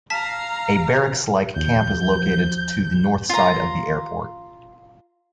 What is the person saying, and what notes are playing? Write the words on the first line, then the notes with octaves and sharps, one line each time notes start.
A barracks-like camp is located to the north side of the airport.
F5 A5 A#5 B6
D#2 F3 G6
F4 A#5